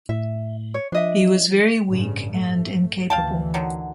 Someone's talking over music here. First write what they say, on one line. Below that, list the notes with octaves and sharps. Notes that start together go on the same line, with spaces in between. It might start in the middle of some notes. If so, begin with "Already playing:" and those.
He was very weak and incapable.
A2 E5
C#5
F3 D4 D#5 E5
A1 G2 C#3
A3
D2 E3 F5 G5 A5
D3 D#3 F#3